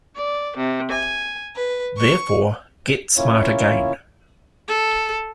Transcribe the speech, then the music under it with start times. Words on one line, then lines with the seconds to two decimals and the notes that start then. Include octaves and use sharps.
Therefore, Get Smart Again!
0.15 D5
0.55 C3
0.91 G#5
1.56 B4
1.97 C#6
3.17 A#3 C#4 E4 F4 C#5
4.68 A4